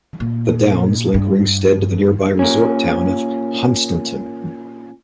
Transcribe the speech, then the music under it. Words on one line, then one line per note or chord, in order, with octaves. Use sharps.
The downs link Ringstead to the nearby resort town of Hunstanton.
A#2
G2
A#2 C#4